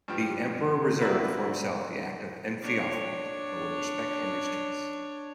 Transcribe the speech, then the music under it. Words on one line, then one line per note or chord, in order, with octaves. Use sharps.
The emperor reserved for himself the act of enfeoffment but would respect Henry's choice.
G2 F3 G5
A#3 C4 D4 E4 F#4 B4
D4 C#5